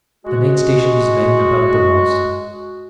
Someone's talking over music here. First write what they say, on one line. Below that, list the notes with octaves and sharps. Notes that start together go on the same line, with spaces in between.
The knight stationed his men about the walls.
G#3 F#4